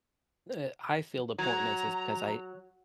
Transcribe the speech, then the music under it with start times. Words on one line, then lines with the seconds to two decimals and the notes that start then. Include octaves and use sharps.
the, uh I feel the importance is is because I
1.38 F#3 A#5